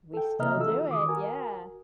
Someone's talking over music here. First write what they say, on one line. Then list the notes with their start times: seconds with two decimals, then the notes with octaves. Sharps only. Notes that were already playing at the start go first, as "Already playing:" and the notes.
we still do it, yeah.
0.14 A4 G5
0.39 C3 A#3 D#5 E5 A#5 F6
0.57 E3 C#4 F4 F#4 A4 E6
0.89 D#3 D6 D#6
1.09 F#4 A#4 G#5